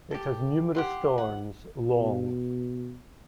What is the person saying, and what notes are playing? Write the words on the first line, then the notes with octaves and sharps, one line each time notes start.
It has numerous thorns, long.
G4 A4
G4 F#5 C6
F#5
B2